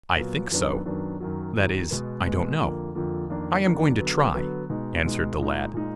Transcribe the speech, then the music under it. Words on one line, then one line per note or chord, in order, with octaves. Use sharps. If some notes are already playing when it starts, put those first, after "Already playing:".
"I think so--that is I don't know--I am going to try," answered the lad.
A#2 F#3 B3
F#2 D#3 F#3 B3 D4
F#2 D#3 F#3 B3 D4
F#2 D#3 F#3
F#2 D#3 F#3
B2 G#3 B3
B2 G#3 B3
F2 D3 F3 A#3
F2 D3 F3 A#3
F2 D#3 A#3 D4
F2 D#3 A#3 D4
D3 F#3 B3
D3 F#3 B3
B2 G#3 D#4
B2 G#3 D#4
A#2 G#3 D#4
A#2 G#3 D#4